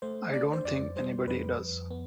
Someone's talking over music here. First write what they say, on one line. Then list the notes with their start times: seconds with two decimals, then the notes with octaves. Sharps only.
I don't think anybody does.
0.02 A3 C5
0.33 D4 D5
0.53 C5
0.65 F2 D5
0.96 G3 C5
1.27 F2 B4
1.59 F2
1.91 B3